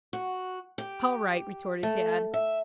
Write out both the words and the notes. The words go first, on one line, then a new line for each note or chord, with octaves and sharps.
"All right," retorted Tad.
F#4
G4
A3
E5